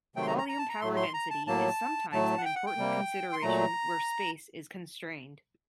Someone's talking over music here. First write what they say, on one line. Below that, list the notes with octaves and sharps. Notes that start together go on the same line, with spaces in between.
Volume power density is sometimes an important consideration where space is constrained.
C3 D#3 F#3 A3 G5
C6
A#5
A#5
A#5
A5
A#5
A2 F#3 A3 C6
C6
A#5
A5
A2 F#3 A#3 A5
A2 F#3 A3 A5
F#5
G5
F#5
G5
C3 G3 A#3
C6
A#2 F#3 A3 A#5